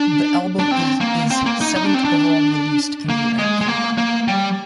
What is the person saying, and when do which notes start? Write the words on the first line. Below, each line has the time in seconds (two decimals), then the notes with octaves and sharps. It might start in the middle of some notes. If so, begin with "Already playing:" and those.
The album is his seventh overall released in the United Kingdom.
Already playing: D4
0.59 D4
0.71 C4
1.01 A#3
1.31 C4
1.46 A#3
1.61 D#4
1.76 D#4
1.85 D4
1.94 C4
2.05 D4
3.10 A#3
3.39 G#3
3.61 G#3
3.68 A#3
3.98 A#3
4.28 G3